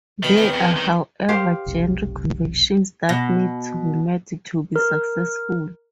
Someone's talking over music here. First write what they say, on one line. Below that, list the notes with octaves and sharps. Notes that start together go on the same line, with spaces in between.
There are, however, genre conventions that need to be met to be successful.
B2 D#3 B5
E2 B3 C4
F2
D#3
G4 C5 F5
F1 B1
B2
A#4